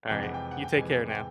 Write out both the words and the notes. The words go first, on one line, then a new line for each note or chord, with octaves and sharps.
Alright. You take care now.
F2 C3 E3 G#3 G5
F#5
G5
F#5
G5
F2 C3 E3 G#3 G#5
G5